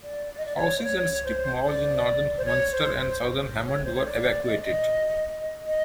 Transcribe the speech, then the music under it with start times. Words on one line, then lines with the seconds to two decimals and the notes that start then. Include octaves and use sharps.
Houses and strip malls in northern Munster and southern Hammond were evacuated.
0.03 D5
0.30 D5
0.38 D#5
0.45 D5
0.57 C#5
0.78 C5
0.83 C#5
1.13 C#5
1.24 C5
1.64 D5
2.38 C5
2.45 C#5
2.72 C5
2.99 C5
3.65 C#5
3.85 C5
3.95 C#5
4.06 D5
4.46 D#5
4.65 D#5
5.67 D#5